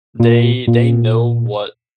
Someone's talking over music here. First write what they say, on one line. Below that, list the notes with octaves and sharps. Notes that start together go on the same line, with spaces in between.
they they know what
A#2
A#2